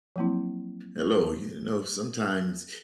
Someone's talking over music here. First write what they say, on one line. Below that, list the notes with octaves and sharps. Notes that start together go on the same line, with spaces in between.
Hello, you know, sometimes,
F3 F#3 A#3 C4 E4